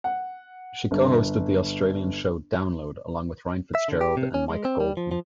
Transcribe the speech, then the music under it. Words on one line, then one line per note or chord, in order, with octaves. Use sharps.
She co-hosted the Australian show "Download" along with Ryan Fitzgerald and Mike Goldman.
F#5
G1
E5
D3
G4
C3
C#4
G#3
C4
G3
F3
F3